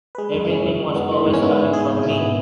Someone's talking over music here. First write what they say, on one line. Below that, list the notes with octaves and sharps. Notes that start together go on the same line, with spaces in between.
Everything was always coming from me.
B4
G#3 G#4
F#2
E4
C#3 C#4
F#2
G#3
B3
E3
G#2
C#4
B3 E4
G#2
G#3 G#4
G#2
B2 E4
B3